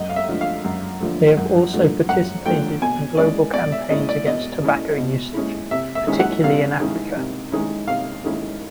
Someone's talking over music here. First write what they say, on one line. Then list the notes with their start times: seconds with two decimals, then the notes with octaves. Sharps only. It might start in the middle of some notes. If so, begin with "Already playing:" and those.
They have also participated in global campaigns against tobacco usage, particularly in Africa.
Already playing: F#2 D#5
0.09 F5
0.16 E5
0.28 D3 F3 A3
0.41 F5
0.64 F#2
1.00 D3 F3 A3
1.37 F#2
1.72 D3 F3 A3
2.09 F#2 F#5
2.46 D3 F3 A3 G5
2.82 B2 G#5
3.17 G#3 C#4 E4 D5
3.54 B2 D5
3.72 E5
3.89 G#3 C#4 E4 D#5
4.09 D5
4.26 B2 D#5
4.62 G#3 C#4 E4
4.98 B2
5.34 G#3 C#4 E4
5.71 C3 E5
5.95 E5
6.07 D#3 G#3 C#4 E4
6.19 F#5
6.43 C3 F5
6.80 D#3 G#3 C#4 E4
7.16 C3
7.52 D#3 G#3 C#4 E4
7.87 C3 F5
8.25 D#3 G#3 C#4 E4